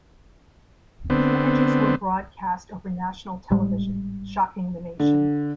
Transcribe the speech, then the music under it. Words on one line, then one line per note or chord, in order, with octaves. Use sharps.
The images were broadcast over national television, shocking the nation.
D3 B3 C4
G#1 A2 G3 G#3
D3